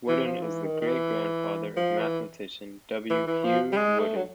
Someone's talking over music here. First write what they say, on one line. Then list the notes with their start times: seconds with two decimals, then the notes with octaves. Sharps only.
Woodin is the great-grandfather of mathematician W. Hugh Woodin.
0.08 E3
0.26 F3
0.42 E3
0.65 D#3
0.81 D#3
0.87 E3
1.77 F3
1.99 E3
3.10 E3
3.27 E3
3.44 F3
3.72 G3
3.77 G#3
3.99 A3
4.16 F#3